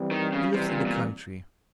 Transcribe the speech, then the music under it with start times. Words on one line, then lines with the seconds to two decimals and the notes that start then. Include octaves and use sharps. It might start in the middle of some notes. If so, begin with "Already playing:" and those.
He lives in the country.
Already playing: E3 G3 C4
0.11 D#3
0.33 C#3
0.54 C3 E3 G3 C4
0.70 A#2
0.87 A#2